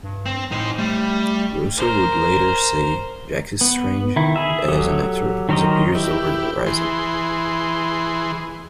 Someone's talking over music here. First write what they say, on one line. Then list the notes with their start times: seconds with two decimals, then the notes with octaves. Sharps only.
Russell would later say Jacqui's range as an actor disappears over the horizon.
0.03 G2
0.26 C4
0.52 A2 D#4 C5
0.78 G3 A3
1.77 A#4 C5
3.61 B3
4.16 D#3 E4
4.36 G#4 E5
4.68 F#3 G4 A4 D#6
5.49 D#3 F#3 A#4 C5 D#5
5.95 E4 G4
6.66 E3 G#4 C6